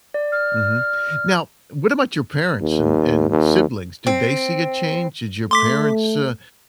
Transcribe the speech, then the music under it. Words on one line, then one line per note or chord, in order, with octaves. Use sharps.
Mhm. Now what about your parents and and siblings? Did they see a change? Did your parents, uh,
D5
F6
D#2
D#2
C4
A3 C6 D6 B6